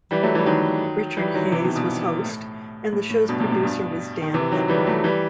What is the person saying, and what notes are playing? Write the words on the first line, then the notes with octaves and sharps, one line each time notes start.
Richard Hayes was host, and the show's producer was Dan Enright.
E3 G3
F#3 A3
E3 G3
D#3 F#3
E3 G3
D#3 F#3
C3 E3
B2 D#3
G2 B2
A2
A2
A2
G2 B2
A2 C3
A2 C3
G2 B2
D#3
C3 E3
D#3 F#3
E3 G3
F#3 A3
E3 G3